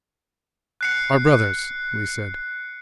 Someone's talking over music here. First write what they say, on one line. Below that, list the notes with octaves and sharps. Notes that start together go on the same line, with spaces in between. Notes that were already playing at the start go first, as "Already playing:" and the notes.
"Our brothers!" we said.
F#6 C7 C#7